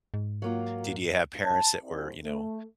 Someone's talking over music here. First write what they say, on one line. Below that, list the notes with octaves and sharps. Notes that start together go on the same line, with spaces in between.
Did you have parents that were, you know,
G#2
F#3 A#3 F4
A5
C2
A3